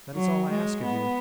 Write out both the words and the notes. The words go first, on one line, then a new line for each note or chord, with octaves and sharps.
That is all I ask of you.
F#3
G#3
B3